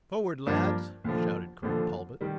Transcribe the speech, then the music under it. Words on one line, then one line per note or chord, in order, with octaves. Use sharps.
"Forward, lads!" shouted Colonel Talbot.
G2 F3 A#3 D4
D#2 D3 F3
D#2 D3 F3
D#3 G3